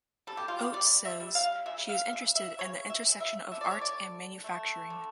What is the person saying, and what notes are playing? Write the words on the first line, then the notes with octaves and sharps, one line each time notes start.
Oates says she is interested in the intersection of art and manufacturing.
G3 A4
G4
F4
G4
G3 D5
E5
G3
F5
C#3 E5
F5
C#3 E5
E5
C#3 C#5
E5
C#3
E5
D3 E5
D5
C#5
D5
D3
A3
D3